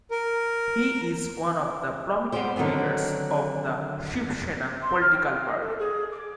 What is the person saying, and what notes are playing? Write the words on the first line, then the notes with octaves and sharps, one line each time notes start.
He is one of the prominent leaders of the Shiv Sena political party.
A#4
G3 B3 C#4 G4 C5
D3 D#3 F#3 B3 C4
C6
F6
G5
F5
D#5
A4
G#4
D6